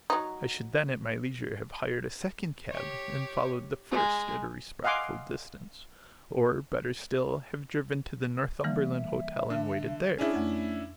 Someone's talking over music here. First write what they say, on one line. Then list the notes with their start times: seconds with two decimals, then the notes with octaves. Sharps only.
I should then at my leisure have hired a second cab and followed the first at a respectful distance, or, better still, have driven to the Northumberland Hotel and waited there.
0.10 F#3 D#4
2.70 G4 C#5
3.91 G#3
4.84 D#5 F5 F#5 G#5 C6 D6
8.64 E3 G3 A#3 E5
9.50 D3
10.18 C#4 D4 E4 G#4
10.35 F2 A3 F#5